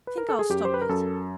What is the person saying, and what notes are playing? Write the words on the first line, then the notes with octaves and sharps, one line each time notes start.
I think I'll stop it.
B4
A#4
A4
G#4
F#2 G4
C5
B4
A#4
F#2 A4